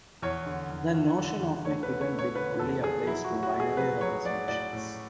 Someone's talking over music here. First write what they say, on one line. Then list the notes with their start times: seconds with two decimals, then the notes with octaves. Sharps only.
The notion of a hidden bit only applies to binary representations.
0.22 E2 C#5
0.46 D3
0.70 E2
0.94 E2
1.18 D3
1.41 E2
1.65 A3 C#5
1.83 B4
1.88 D3
2.01 C#5
2.13 A3
2.19 C#5
2.35 D3 B4
2.59 E2 A4
2.83 E2 G#4
3.06 F#3 E4
3.25 F#4
3.30 A2
3.43 F#4
3.55 A3
3.60 G#4
3.77 F#3 B4
4.01 F#3 C#5
4.25 F#3 D5
4.48 A2 D5
4.73 A2